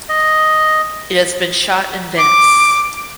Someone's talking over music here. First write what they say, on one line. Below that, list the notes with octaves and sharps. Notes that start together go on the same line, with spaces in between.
It has been shot in Venice.
D#5
D6